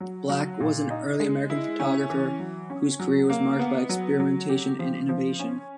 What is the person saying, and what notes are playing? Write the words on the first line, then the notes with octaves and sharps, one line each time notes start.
Black, was an early American photographer whose career was marked by experimentation and innovation.
F#3
F#3
A#2
D#4
G#3
E4
C#4
E3
F#3
C#4
F#3
A#3
B3
F#3
F#3
G4
F3
F3
C#4